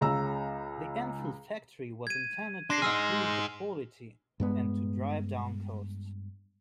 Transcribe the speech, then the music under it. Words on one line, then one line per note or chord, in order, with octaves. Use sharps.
The Enfield factory was intended to improve the quality and to drive down costs.
C#2 C#3 A#5 E6
G#6 D#7
D4 C6 A#6 C7
D#4 G#4 E6 F6
G2 G#3 B3